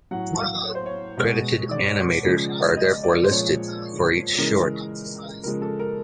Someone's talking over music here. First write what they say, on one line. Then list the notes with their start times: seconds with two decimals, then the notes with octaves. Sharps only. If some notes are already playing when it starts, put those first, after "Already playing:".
Credited animators are therefore listed for each short.
0.11 A2 F#3 F#5
0.37 F5
0.64 C#5
0.75 C5
0.86 C#5
1.17 B2 G#3
1.71 D5
2.24 C#3 F3 G#3
2.77 D#5
3.04 D5
3.23 C5
3.31 A#2 F3 G#3 C#5
4.38 C#3 E3 G#3 A#4
5.43 C#3 F3 G#3 A#4
5.62 A4
5.79 A#4